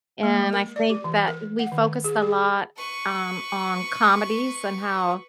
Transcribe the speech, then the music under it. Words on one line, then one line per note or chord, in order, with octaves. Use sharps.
and I think that we focused a lot, um, on comedies and how
A#3
G#3
A#4
D5
G4
E3
A#4
F#5
D#3
G#4
G#4
B4 C#6